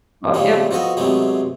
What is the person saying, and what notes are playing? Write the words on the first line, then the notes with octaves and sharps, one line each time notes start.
But, yep.
A#2 C#3 F3 G3 G#3 A#3
F3 B3 F#4 A4 D#5
C3 F#3 G#3 A3 B3 C4